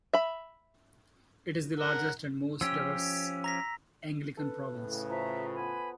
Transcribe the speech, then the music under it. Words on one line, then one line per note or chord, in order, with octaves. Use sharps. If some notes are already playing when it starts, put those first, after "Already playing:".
It is the largest and the most diverse Anglican province.
E5 B5
A#4 F#5
F3 C#4 G4 E6
A#5 A#6 B6
A4 B4
A2 C#3
F3 E5 A#5
B3 C5 G#5 B5